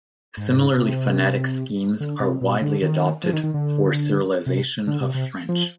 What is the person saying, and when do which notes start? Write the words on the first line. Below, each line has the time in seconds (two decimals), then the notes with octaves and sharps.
Similarly phonetic schemes are widely adopted for Cyrillization of French.
0.37 G#2
0.78 C3
2.00 D3
2.21 C3
2.41 B2
2.62 D3
2.82 D#3
3.24 F3
3.33 D#3
3.43 D#3
3.54 D3
4.46 C3
4.87 D3
5.01 C3
5.15 C3
5.49 F3